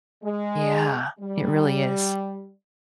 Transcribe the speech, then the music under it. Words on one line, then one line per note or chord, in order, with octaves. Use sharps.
Yeah. It really is.
G#3
G3